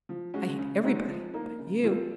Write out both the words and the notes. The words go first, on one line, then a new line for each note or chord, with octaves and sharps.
I hate everybody--but you!
F3
G#3 C#4 F#4
C#3
G#3 C4 D#4 F#4
F3
A#3 D#4
C#3
F3 C4 F4